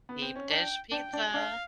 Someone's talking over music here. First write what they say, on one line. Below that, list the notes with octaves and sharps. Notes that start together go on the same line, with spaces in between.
Deep dish pizza,
B3
C4
C#4
D4 G5
D4 G5
D4
D4 F5